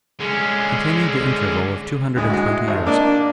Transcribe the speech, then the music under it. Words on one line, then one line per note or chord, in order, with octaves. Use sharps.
Containing The Interval Of Two Hundred And Twenty Years.
D3 G#3 C#4 G#4
D2 A2 G#3
G#3 E4 F#4
G#1
A#3 D4 D#5